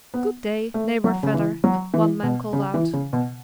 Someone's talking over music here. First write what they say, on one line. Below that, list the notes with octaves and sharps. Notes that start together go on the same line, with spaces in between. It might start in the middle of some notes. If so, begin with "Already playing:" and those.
"Good day, neighbor Vedder," one man called out.
B3
A3
F#3
C#3
E3
F#3
E3
B2
C#3
E3
C#3
B2